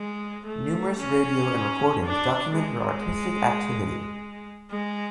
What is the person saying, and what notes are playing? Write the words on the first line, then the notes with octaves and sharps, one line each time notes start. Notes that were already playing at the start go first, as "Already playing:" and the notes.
Numerous radio and recordings document her artistic activity.
Already playing: G#3
A3
C#4
D4
G#3
G#3